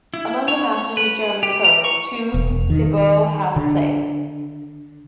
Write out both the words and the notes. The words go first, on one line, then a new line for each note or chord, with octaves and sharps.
Among the masters of German prose, too, Thibaut has a place.
E4
C#5
B4
G4
A#5
C#6
E1
D#3
D3